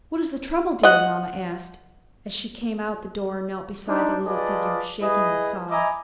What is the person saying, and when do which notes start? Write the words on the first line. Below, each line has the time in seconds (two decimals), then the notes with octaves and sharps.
"What is the trouble, Dear?" Mamma asked, as she came out the door and knelt beside the little figure shaking with sobs.
0.83 D#5 F#5
3.87 D4 D#4 C5
4.25 F4 G#4 B4 D5 D#5 A5
5.01 E4 G#4 B4 D#5
5.71 D#5 E5 G#5 A#5 B5 D6